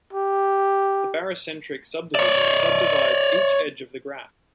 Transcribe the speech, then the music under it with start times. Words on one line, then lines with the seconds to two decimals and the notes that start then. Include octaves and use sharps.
The barycentric subdivision subdivides each edge of the graph.
0.13 G4
2.15 C#5 D5